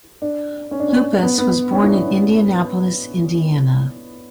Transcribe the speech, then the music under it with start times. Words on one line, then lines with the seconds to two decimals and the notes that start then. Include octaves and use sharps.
Lupus was born in Indianapolis, Indiana.
0.22 D4
0.71 C#4
0.80 D4
0.88 C#4
1.22 B3
1.38 B3
1.72 C#4
1.84 E4
1.89 D4
2.06 C#4